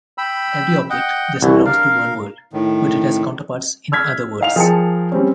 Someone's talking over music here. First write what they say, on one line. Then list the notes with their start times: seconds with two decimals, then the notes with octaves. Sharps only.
Every object just belongs to one world but it has counterparts in other worlds.
0.18 G5 B5 E6
0.90 D#5 F#5 G5
1.42 C2 E3 F#4
1.66 D4 A#4 F5
2.53 A2 D#3
3.92 E6 F6 G#6 B6
4.41 D#4 F5 F7
4.56 F3 G#4 A#4 G5 A5 C#7
5.12 G3 C4 C#4